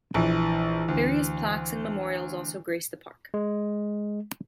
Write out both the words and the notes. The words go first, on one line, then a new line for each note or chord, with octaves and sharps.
Various plaques and memorials also grace the park.
A#1 E3
D2
G#3